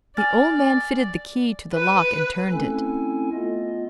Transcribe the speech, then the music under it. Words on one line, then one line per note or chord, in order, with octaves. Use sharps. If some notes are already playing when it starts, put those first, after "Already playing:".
The old man fitted the key to the lock and turned it.
D5 G#5 F6 A6
B4
A3 C4 C#4 E4 A4 G#5
A3 B3 F4 D#5